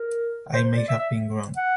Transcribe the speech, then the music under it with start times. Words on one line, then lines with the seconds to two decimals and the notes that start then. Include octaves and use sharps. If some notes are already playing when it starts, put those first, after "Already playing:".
I may have been wrong.
Already playing: A#4
0.53 C5
0.76 D5
0.88 E5
0.99 E5
1.57 F#5